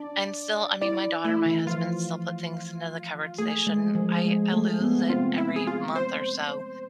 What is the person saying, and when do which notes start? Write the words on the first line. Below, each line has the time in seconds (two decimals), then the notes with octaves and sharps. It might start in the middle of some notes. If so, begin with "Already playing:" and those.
And still, I mean, my daughter and my husband still put things into the cupboards they shouldn't. I I lose it every month or so,
Already playing: D4 D5
0.81 E4 D5
1.24 A3 E4
1.46 E3
1.67 F3 F4
3.38 A3 G#4
3.67 G#3
3.95 F3
4.25 G#3
4.52 A3
4.80 B3
5.10 C4 F4
5.38 E4
5.56 G#4
5.67 F4
5.96 C5